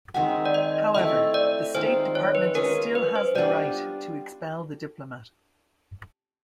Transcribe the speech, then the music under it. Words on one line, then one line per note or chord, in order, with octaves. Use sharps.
However, the State Department still has the right to expel the diplomat.
D#3 G#3 C4 F#5
D5
D#5
A3 C4 E4 A4 D#5
D5
D#3 G#3 C4 F4 C5
C#5
B4
G#3 C#4 F4 A#4
B4
C5
G3 B3 D4 F4 D5